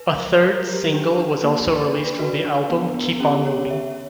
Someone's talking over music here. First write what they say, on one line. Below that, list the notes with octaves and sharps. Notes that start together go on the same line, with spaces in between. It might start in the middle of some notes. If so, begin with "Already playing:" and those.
A third single was also released from the album, "Keep on Moving".
Already playing: B4
F#3 A#4
F#3
G4
D4 B4
D4
A#3
D5
D4
F#4
D4 A#4
B3
B3
C#4 G4
C#5
E5